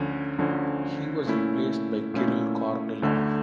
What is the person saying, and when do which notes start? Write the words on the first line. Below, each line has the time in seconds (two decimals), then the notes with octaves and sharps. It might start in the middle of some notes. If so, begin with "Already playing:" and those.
He was replaced by Kirill Kornilov.
Already playing: D2 D3 F3 C#4
0.38 D2 D3 F3 C#4
1.26 A#2 A3 C#4 E4
2.14 A#2 A3 C#4 E4
3.02 D2 D3 A3